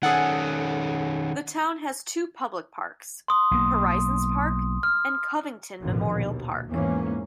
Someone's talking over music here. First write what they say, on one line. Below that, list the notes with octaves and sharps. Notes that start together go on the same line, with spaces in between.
The town has two public parks: Horizons Park, and Covington Memorial Park.
D#3 C#4 G#4 A4 F#5
C6 D#6
B1 A#3
F6
A1 F2 B2 D3 D#3 F3
A#1 D#2 B2
E2 G#2 E3 A#3 C#4